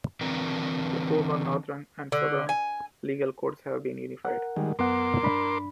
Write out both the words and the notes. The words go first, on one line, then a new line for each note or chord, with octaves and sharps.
The former northern and southern legal codes have been unified.
D3 E3 C4 A#4 B4 D5
D3
G#5
A#4 F#5
D#3 G3 G#3
F#2 B3 A#4 F#5 C6 D6
G2 D4 B5